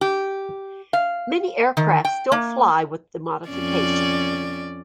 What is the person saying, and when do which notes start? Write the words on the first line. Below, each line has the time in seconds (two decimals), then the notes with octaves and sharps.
Many aircraft still fly with the modification.
0.01 G4
0.93 F5
1.77 D#3
2.05 G5
2.32 A#3
3.49 F2 C#4 D5